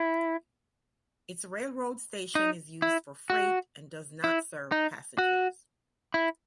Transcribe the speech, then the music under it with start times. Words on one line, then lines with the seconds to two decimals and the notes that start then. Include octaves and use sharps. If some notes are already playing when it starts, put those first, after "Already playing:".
Its railroad station is used for freight and does not serve passengers.
Already playing: E4
2.35 D#4
2.82 E4
3.30 F#4
4.24 E4
4.72 D#4
5.18 F#4
6.14 E4